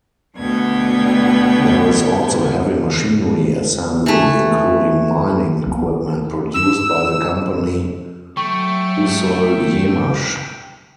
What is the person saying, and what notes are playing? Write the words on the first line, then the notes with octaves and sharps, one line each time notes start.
There is also heavy machinery assembly, including mining equipment produced by the company "Usolyemash".
D2 B2 B3 G5 G#6
E3 A3
E3 B3
E6
F#3 A3 G5 C#6